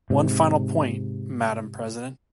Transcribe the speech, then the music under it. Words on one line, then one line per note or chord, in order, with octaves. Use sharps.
One final point, Madam President.
G#2 C3